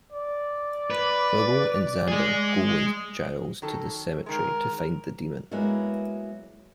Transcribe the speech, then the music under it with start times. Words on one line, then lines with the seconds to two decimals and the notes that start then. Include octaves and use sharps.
Willow and Xander go with Giles to the cemetery to find the demon.
0.12 D5
0.90 B4
2.08 G#3 G#4
3.62 D#3 F#3 A4
4.26 D#3 G#3 A#4
5.51 F#3 G#3 A#3 B3 E4